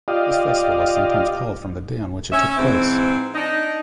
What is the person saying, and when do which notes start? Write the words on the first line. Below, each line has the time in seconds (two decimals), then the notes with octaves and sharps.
This festival is sometimes called from the day on which it took place.
0.08 F4 G4 D5 D#5 F5
2.31 C#4 E5
2.58 G#2 E3 C4
3.35 D4 D#4